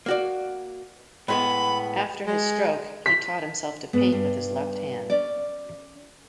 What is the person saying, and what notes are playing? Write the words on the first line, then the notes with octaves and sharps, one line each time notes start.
After his stroke, he taught himself to paint with his left hand.
A#3 F#4 D5
A2 G#3 B3 B5
G#3
B6
G#2 B3
G2
C#4 D5